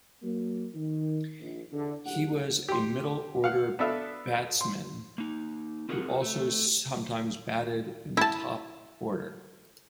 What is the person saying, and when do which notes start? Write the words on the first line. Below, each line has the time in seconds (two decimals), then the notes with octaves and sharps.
He was a middle order batsman who also sometimes batted in the top order.
0.23 F#3 A#3
0.73 D#3
1.39 A#1
1.72 E2 D3
2.05 C#2 F#2 A2 D4 G4 F#5
2.69 G4 C6
3.44 F5 F#5
3.79 B3 D4 A4 E5 F5
4.61 C6
5.18 A#3 D#4
5.89 C4 F4 G#4 A#4 D#5 F#5
6.22 A3
8.17 E4 A5